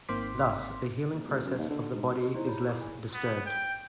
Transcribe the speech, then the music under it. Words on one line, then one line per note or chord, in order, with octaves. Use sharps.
Thus, the healing process of the body is less disturbed.
G#1 A#3 C4 C6 D6 B6
A#1
E1
F#2
D#2
D3
G#2
G4 A#4 D#5
D#4 E4 C5 D5 C6
C#5 B5
G4 G#4 A#4 D6
G#5
B3
G5